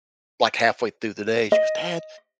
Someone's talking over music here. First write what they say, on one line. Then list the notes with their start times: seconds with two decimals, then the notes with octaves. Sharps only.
like, halfway through the day, she goes, "Dad,
1.52 D#5